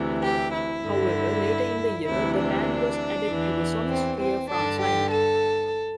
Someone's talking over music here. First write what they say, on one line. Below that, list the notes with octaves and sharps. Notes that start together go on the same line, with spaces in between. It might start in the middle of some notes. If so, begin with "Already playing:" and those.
However, later in the year the band was added to the Sonisphere France line-up.
Already playing: D2 C3 E3
G4
E4
G2 D3
D2 C3 E3 E4
D4
E2 E3
C4
C4
G2 D3 D4
G4
A4